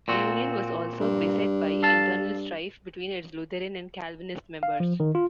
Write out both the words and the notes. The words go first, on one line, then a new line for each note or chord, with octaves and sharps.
The Union was also beset by internal strife between its Lutheran and Calvinist members.
A#2 C4 F#4
G2
A4 F5 A5
F5
F3
D#3
F4